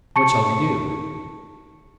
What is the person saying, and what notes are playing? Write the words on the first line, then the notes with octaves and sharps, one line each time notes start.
"What shall we do?"
A5 C#6 C#7